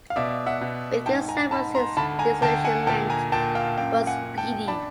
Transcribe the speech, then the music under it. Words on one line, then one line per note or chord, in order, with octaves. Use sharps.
With these samples his disillusionment was speedy.
F5
B2 D5 E5
E5 F#5
B2
G#2 G5 A5
G#5 A#5
G#2 A5 B5
A#5 C6
D2 A5 B5
G#5 A#5
D2 G5 A5
F#5 G#5
A#2 G5 A5
G#5 A#5
A#2 G5 A5
F5 G5
F#2 F5 G5
F#5 G#5
F#2
G5 A5
D4 A5 B5